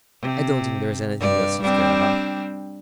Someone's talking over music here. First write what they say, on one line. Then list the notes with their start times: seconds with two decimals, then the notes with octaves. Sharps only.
I don't think there is anything else you'd care about.
0.22 C3
1.19 G2 D5
1.62 G3 C4 D4